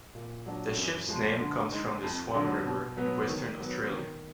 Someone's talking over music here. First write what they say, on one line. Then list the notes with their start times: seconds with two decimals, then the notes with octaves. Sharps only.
The ship's name comes from the Swan River in Western Australia.
0.15 A#2
0.46 F#3 D4
0.77 F#2
1.08 F3 G#3
1.40 D3
1.71 G#3 D#4
2.03 F2
2.34 D3 F#3 D4
2.65 B2
2.97 F#3 B3
3.28 D#3
3.60 F#3 B3
3.91 D#3